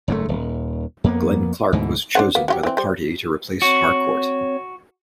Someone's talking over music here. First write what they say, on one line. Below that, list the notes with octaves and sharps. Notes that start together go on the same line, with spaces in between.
Glen Clark was chosen by the party to replace Harcourt.
F#1 G#2 C#3 A3
D#1
F2 A#3 B3
D2 G#2 B2 E3
D4 C5 F#5
A#3 B3
F#3 F4 G4
E3 C4
G3 C5
C4 F#4 C#5